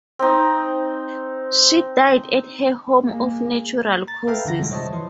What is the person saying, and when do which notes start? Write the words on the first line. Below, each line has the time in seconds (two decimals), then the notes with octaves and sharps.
She died at her home of natural causes.
0.19 C4 D#4
3.03 G#3 A#3
4.08 A#5 A6
4.27 A4 B4 E5 F5 G5 A#5
4.46 D3 E3 F#5 A#6
4.59 C3 D#3 G3 G#3 F4
4.71 C5 C#5 D#5 E5 A5
4.92 E3 F3 E4 C6